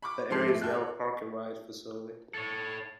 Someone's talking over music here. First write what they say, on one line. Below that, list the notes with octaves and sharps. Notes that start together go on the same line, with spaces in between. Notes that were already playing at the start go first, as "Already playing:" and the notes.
That area is now a Park and Ride facility.
B5 C#6 D6
G#2 F3 C#4 A4 C6 C7
A3
D#2 A4 E5 F#6
C#5
A4 C#5